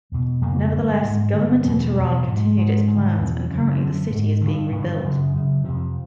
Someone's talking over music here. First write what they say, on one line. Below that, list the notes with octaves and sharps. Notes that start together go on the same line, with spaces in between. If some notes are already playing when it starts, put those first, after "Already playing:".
Nevertheless, government in Tehran continued its plans and currently the city is being rebuilt.
E2 B2
F2 C#3 A#3
G2 D3
G#2
G2 D3 A3
G3
G3
E2 B2 F#3
E2 B2 F#3
G#2
G#2 G#3
G#2
D3
D#3
E2 B2 E3
F#2 C#3
F#2 D3
G#2
G2 D3 D#3
G2 D3
F#2 C#3
F#2 C#3
F2 C3 F3